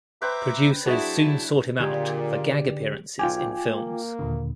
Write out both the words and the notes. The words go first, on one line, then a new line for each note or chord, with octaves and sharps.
Producers soon sought him out for gag appearances in films.
B4 C5 E5 G5 A#5 D6
F#3 D4 E4 F#4 G#4 E5 A5
A#2 D3 G4 G#4 D5
B1 F4 G5 G#5 D6
A#3
D#2 A#2 D3